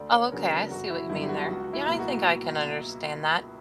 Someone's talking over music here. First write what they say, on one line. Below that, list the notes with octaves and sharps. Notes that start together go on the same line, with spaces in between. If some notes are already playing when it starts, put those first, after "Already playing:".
Oh, okay, I see what you mean there. Yeah, I think I can understand that.
Already playing: D2 D5
C#5
C#3 F#3 B3 D4 A#4
A#4
G1 F#4
E4
G2 D3 F#3 B3 E4
G4
F#4
C#2 F#4
E4
B2 A#3
F#4